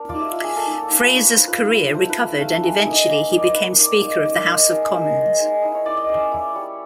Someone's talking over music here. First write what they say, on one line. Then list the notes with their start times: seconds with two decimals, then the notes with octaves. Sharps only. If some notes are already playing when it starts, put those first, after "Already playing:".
Fraser's career recovered and eventually he became Speaker of the House of Commons.
Already playing: A#3 D4 A#4
0.09 F4 D5
0.21 E5
0.32 F4
0.44 G#4
0.56 F4 A4
0.78 A#3
1.01 F4 B4
1.16 C#5
1.25 F4
1.33 C5
1.47 F4 B4
1.71 F4
1.94 A3 C5
2.10 B4
2.17 F4
2.24 B4
2.40 A3 F5
2.62 C#4 E5
2.86 A#3 D#5
3.10 A#3
3.32 D#4 D5
3.44 C5
3.55 A#3 B4
3.79 A#3 D5
4.02 D#4
4.24 A#3 D5
4.48 D#4
4.70 G#3 A#4
4.93 G#3
5.17 G#3
5.40 G#3
5.62 E4 D#5
5.75 C#5
5.86 E4 D5
5.97 D#5
6.08 C#4 D5
6.32 E4
6.55 G3 C#5